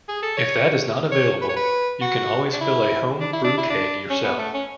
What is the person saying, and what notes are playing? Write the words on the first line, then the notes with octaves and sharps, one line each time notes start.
If that is not available, you can always fill a home brew keg yourself.
G#4
A4
C#5
C#5
B4
C#5
B4
F#4
D4
E4
D4
E4
D4
E4
D4
C#4
B3
A3
C#4